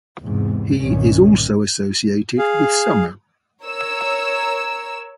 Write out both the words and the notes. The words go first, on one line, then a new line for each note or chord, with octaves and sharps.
He is also associated with summer.
E2 G#2 C3
C2 G2 A#2 D#3 C#4
G#4 F5
A#4 C#5 E6